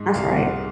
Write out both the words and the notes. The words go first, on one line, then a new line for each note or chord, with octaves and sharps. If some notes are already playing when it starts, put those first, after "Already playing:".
That's right.
Already playing: G#2
C2 F5
F#5